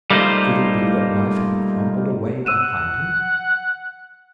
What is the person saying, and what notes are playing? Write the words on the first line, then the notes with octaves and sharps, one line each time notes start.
Could it be that life had crumbled away behind him?
G3 A3 A#3 D#4 F4 C5
F#5 E6 D#7 E7